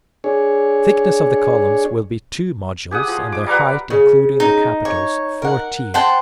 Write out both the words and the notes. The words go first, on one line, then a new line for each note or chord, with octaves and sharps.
The thickness of the columns will be two modules, and their height, including the capitals, fourteen.
D4 G#4 C#5
G4 G#4 F#5 D#6
F3
D6
G3 A#4 B4 F#5
C#3
D#4
C#5
A#4 F#5
C5 F#5 G5 A5